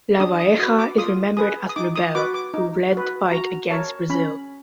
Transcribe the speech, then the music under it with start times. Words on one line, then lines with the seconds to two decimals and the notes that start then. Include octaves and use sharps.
Lavalleja is remembered as a rebel who led the fight against Brazil.
0.20 D4 D#6
0.40 D#6
0.59 F#4 D#6
0.62 B4
0.78 D6
0.98 F4 D#6
1.37 G#4 B4 D#6
1.69 D#6
1.76 D#4 D6
1.96 D#6
2.15 F#4 B4 D6
2.34 D6
2.54 D#4
2.92 F#4 B4
3.32 F#4 A#5
3.70 A#4 C#5 A5
4.10 C#4 B5